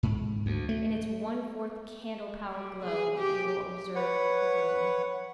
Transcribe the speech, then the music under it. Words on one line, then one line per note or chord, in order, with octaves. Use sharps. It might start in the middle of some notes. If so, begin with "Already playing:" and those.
In its one-fourth-candlepower glow we will observe the room.
G#2
D2
A3
G3
G#4
G4
B4 C#5 F#5